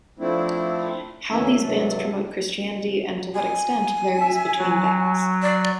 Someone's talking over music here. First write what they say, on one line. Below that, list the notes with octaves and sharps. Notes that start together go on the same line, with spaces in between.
How these bands promote Christianity, and to what extent, varies between bands.
F3 A3 C4 D4 E4
D2 E3 C#4 E5
G2 C3 F#3 A4
G#5
E5
F#3
D5